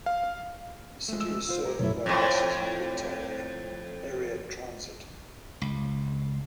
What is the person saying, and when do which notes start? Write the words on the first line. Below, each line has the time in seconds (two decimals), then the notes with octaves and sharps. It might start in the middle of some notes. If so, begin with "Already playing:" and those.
The city is served by buses of Winter Haven Area Transit.
0.06 F5
1.09 G#3 A3
1.21 E6
1.49 F4 C5
1.65 G4 G#4 A#4
1.79 B1 F#2 A2 E4 A4 C#5
2.06 F2 A2
5.61 C#2